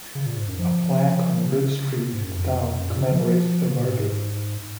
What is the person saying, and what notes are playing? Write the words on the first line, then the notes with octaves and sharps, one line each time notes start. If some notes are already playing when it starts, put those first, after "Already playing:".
A plaque on Bridge Street in the town commemorates their murder.
C#3
A#2
G#2
F#2
F3
C#3
C3
G#2
F#2
F2
F#2
A#2
C#3
F3
F3
C#3
A#2
G#2
G#2